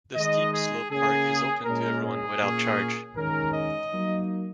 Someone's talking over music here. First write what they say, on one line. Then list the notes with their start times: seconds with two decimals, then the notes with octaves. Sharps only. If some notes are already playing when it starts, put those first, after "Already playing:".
The steep slope park is open to everyone without charge.
0.15 D#3 G#3 D#4 D#5
0.54 G#4
0.91 C#3 A#3 C#4 G#4
1.66 A#2 G#3 C#4 A#4
2.04 G#4
2.41 A#2 A#3 C#4
3.16 D#3 G#3 C#4 A#4
3.54 D#5
3.91 F#3 A#3 D#4